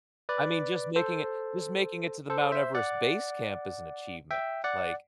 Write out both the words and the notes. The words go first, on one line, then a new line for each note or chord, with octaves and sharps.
I mean, just making it, just making it to the Mount Everest base camp is an achievement, like,
B4 D5
A4 C5
A4 C5
C5 E5
D5 F#5
E5 G5
D5 F#5